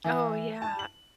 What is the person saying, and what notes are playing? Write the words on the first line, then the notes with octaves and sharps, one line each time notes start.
Oh, yeah.
E3
A5
F#7